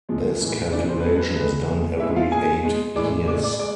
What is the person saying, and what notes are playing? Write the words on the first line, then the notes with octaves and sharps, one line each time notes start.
This calculation is done every eight years.
C3 F3 G#3
A2 E3 G#3
C3 E3 G#3 D4 D5
C4 C5
B4
B2 G#3 A4
B4
B4
B2 G#3 B4
B2 G#3
B2 G#3 E4 E5
F4 F5
B2 G#3 G#4 G#5
B2 G#3
A2 E3 G#3 D5 D6
A2 G#3 D5 D6
D5 D6
G#3 D5 D6